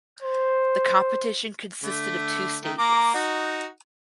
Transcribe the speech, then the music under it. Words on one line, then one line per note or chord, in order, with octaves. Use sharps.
The competition consisted of two stages.
C5
D3 A3
D#3 A3
A#3 A#5 D6
D#4 F#4